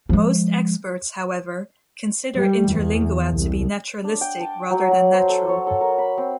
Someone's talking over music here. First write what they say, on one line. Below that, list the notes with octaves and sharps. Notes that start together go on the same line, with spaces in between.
Most experts, however, consider Interlingua to be naturalistic rather than natural.
F3 G#3
G3
E2
C2
D4
G5
A5
F#3
F#3
C5
A4
C#5
A4
A#4
B5
C4